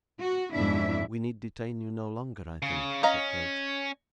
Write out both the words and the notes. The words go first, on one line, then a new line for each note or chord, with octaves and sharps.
'We need detain you no longer, I think,' said Kate.
F#4
F2 G#2 B2 D4 E4 E5
C#3
C#4 D#5 F5 A#5